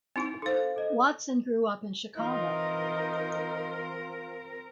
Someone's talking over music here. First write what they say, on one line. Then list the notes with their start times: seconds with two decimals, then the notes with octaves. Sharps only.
Watson grew up in Chicago.
0.16 C4 D#4 E4
0.42 D#4 A4 C5 F5
0.76 A4 D#5
2.17 E3 C4 D#4 F4 A#4